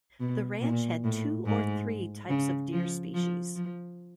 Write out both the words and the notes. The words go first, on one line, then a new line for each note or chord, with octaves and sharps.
The ranch had two or three types of deer species.
B2
A#2
A2
G#2
C#3
F3
F3
F3